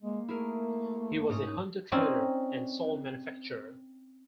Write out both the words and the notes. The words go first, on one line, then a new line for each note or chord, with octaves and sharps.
He was a hunter-trader and salt manufacturer.
G#3 A#3
A3 E4 G#4 A#4
G#2 C#4 D#6
C4 C#4 D#4 D5